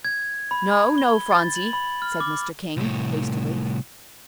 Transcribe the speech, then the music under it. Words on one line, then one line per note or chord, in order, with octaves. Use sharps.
"No, no, Phronsie," said Mr. King, hastily.
G#6
B5
G7
A6
F#7
B5
F6
D6
C2 A2